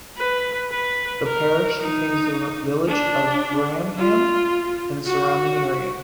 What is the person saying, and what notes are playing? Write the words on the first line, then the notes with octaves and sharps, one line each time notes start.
The parish contains the village of Bramham and the surrounding area.
B4
B4
A#4
D#4
D4
F4
F#4